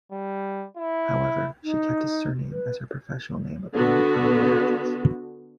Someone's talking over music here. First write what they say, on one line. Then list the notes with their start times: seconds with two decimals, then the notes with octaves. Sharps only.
However, she kept his surname as her professional name upon becoming an actress.
0.12 G3
0.77 E4
1.64 D#4
2.52 B4
3.73 D3 B3 F#4